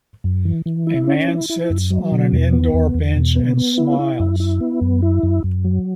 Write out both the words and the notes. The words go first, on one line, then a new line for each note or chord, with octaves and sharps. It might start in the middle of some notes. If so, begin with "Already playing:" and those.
A man sits on an indoor bench and smiles.
F#2
E3
E3
E4
C#4
E4
E4
F#2
F#3
B2
E2
B3
E2
E2
B2
B3
B3
E4
E4
F#2
E4
B3
F#2
E4
F#2
F#2
F#3